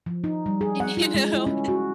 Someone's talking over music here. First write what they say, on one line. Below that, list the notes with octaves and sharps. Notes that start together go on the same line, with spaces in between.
y you know
F3
D#4
G3
G#4
F#5
F4
G#3
E4
C#4
F#4